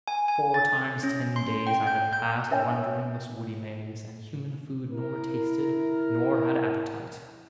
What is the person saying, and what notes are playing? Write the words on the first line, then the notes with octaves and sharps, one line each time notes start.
Four times ten days I have passed Wandering this woody maze, and human food Nor tasted, nor had appetite.
G#5
G#5
A6
C#4
C6
G5
G6
G6
A#4 C#5 E5 G5 G#5
E4 A#4